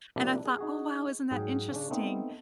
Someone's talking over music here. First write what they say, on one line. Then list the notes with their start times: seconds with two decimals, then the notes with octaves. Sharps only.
and I thought, “Oh, wow. Isn't that interesting?”
0.16 C3 F3 G3 A#3 D4 E4
0.46 G#4
0.59 D#4 F#4 G#4
1.31 G#2 F#3 G#4 G5
1.71 C#3 C#4 D4
1.90 A3 B3 C4 D#4